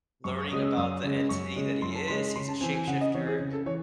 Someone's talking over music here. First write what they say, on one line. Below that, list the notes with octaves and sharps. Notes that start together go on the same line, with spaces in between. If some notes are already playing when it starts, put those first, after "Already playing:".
learning about the entity that he is, he's a shapeshifter,
F#2 C#6
C#6
C#3 G#3 C#4 D#6
E6
F#2 D#6
C#3 G#3 C#4
F#2 C#6
C#3 G#3 C#4
F#2 C6
A5
C#3 G#3 C#4 C6
C#3 C6
A5
E3 C4 G#5
G#5
C#3 F#5
D#5
E3 C4 C#5
G#4
C#3
A4
E3 C#5